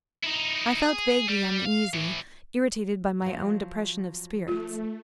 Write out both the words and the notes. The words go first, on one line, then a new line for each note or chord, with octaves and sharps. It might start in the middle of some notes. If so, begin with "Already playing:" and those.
I felt vaguely uneasy; irritated by my own depression of spirits.
D#4 E4
G#4
G3
F5
A2 E3
F3 F#3
A3 F4